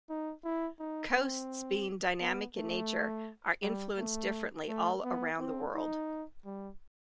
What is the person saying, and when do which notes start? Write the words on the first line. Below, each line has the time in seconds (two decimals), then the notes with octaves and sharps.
Coasts being dynamic in nature are influenced differently all around the world.
0.09 D#4
0.44 E4
0.79 D#4
1.15 C4
2.20 B3
2.57 A3
3.62 G3
3.97 A3
4.68 A3
5.04 B3
5.39 C4
5.74 D#4
6.45 G3